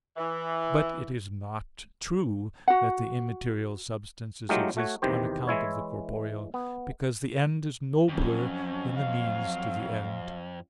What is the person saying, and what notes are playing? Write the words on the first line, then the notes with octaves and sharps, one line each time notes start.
But it is not true that the immaterial substances exist on account of the corporeal, because the end is nobler than the means to the end.
E3
F#4 F#5
F#3 G#3 A3 D#4 F4 G4
A3 F#4 C#5
E2 C3 D#3 G4 C5
E3 G#3 E4 C#5
B3
F2 F#3 C#4
F#3 F5